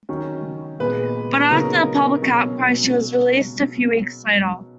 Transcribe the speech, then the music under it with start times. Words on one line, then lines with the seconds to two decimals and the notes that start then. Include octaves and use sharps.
But, after a public outcry she was released a few weeks later.
0.09 D#3 F#3 C#4
0.80 A#2 G#3 B3 B4
1.50 C#3 F#3 B3 D#4 A#4
2.22 B2 F#3 C#4